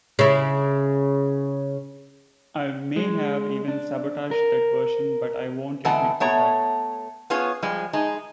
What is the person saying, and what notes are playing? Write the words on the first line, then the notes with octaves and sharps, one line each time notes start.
I may have even sabotaged that version but I won't admit to that.
C#3 E4
G#3
D4
A#4
D3 E3 G#3 F#5 A5 A#5
A3 B3 C#5 A#5
B3 C#4 F4 G#4 C#5
F3 G3 G#3
G#3 D#4